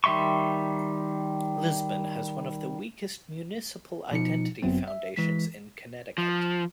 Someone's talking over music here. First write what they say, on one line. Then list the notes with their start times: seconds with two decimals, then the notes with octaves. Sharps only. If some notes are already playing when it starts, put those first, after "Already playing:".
Lisbon has one of the weakest municipal identity foundations in Connecticut.
0.04 D#3 G3 E5 C6 C#6
4.11 B2 F3 D#4 C#7
4.62 G1 F#2 F#3 B3 C4
4.88 E5
5.16 E3 G#3 B6
6.18 F3